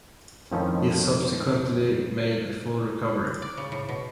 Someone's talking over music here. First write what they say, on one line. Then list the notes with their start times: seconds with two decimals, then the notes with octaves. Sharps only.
He subsequently made a full recovery.
0.52 F2 A2 D#3 F3 A3 C#4
3.42 D5
3.57 C#3
3.72 A2
3.89 B2